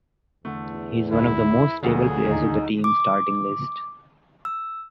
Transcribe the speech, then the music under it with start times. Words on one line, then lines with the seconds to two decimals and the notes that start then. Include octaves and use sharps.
He is one of the most stable players of the team starting list.
0.45 E2 D3 A3
1.12 D2 G#2 B3 E4
1.83 D2 D3 F3 F#3 A3 G#4 B4
2.23 D#2 D3 D#3 D#4
2.84 D6
4.45 E6